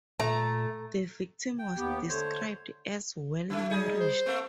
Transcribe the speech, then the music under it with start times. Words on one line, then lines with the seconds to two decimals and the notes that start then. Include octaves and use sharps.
The victim was described as "well nourished".
0.20 A#2 A3 A#5
1.59 G5
1.77 D#2 B3 G4
2.09 D3 A3 C5 C#5
3.50 D#3 A3 D4
3.70 G3 D#4 G#4
4.00 C5
4.26 A3 A#3 C4